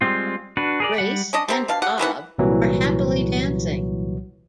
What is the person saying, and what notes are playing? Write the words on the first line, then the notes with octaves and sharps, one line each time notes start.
Grace and Bob are happily dancing.
G3 G#3 C4 F4
D4 F#4 B4
G#4 A#4 D5
G3 F#5
C#4 D4 D#5
G3 C4 A#5
B2 D4 F5
C#3 G4 F#5
C3 D#3 E3 F#5
C2 A#2 E3 F#3